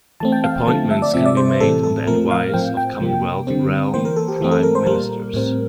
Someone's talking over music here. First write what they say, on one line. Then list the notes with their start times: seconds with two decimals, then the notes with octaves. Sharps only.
Appointments can be made on the advice of Commonwealth realm prime ministers.
0.20 E3 A3 C4 A5
0.32 G5
0.44 F5
0.56 G5
0.67 D3 F3 A3 C4 A5
0.90 E5
1.02 D5
1.14 C3 F3 C4 E5
1.26 D5
1.37 C5
1.49 C5
1.60 A2 E3 G3 C4 A4
1.83 A4
2.07 A#2 F3 A3 C4 A#4
2.31 F5
2.54 A2 F3 C4 G5
2.77 G5
3.00 C3 F3 A#3
3.47 D3 G3 C4
3.94 E3 A#3 C5
4.05 A#4
4.16 A4
4.28 G4
4.41 E3 A3 C4
4.51 A4
4.63 A#4
4.75 C5
4.86 A#2 G3 A#3 A#4
5.34 A2 G3 C4